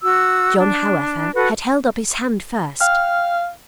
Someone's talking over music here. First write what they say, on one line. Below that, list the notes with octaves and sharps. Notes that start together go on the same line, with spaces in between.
John, however, had held up his hand first.
F#4 E6
D4
F#4 A4 B4
F5 G5 F6